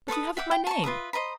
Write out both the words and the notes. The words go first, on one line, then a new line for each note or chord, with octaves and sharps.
But you haven't my name.'
A4 B4 C#6 D#6
E5 F#5 G5 D6
G5
A5 A#5 C#6
F4 B4 E5 D#6
C5 D#5 A#5 B5